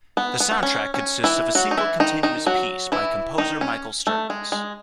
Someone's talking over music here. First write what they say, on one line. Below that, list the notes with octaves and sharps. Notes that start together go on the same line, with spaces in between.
The soundtrack consists of a single continuous piece by composer Michael Stearns.
B3
B3
B3
C#4
C#4
E3 E4
F#3 F#4
D#4
E3 E4
D#3 D#4
D#3 D#4
F#3 F#4
E3 E4
D#3 D#4
C#4
A3
G#3
G#3